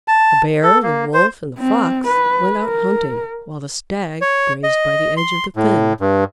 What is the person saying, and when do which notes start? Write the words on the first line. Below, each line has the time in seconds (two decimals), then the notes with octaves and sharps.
The Bear, the Wolf, and the Fox went out hunting, while the Stag grazed by the edge of the fen.
0.08 A5
0.63 A4
0.83 A#3
1.14 C5
1.58 C4
2.08 B4
2.64 A#4
4.21 C#5
4.64 D#5
5.17 C6
5.56 A2
6.00 G2